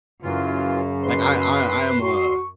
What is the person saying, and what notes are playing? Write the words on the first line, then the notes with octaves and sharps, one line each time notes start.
Like, I I I am a
F#2 C#3 E3 F#3 F4
B4 C6
F#4 C#6